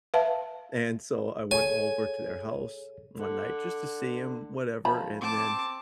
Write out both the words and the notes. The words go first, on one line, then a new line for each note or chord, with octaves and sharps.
And so I went over to their house one night just to see him, whatever, and then,
B4 E5 F5 A5
G#4 A4 C#5 G#5
D3
F3 B5
C4 A5 D6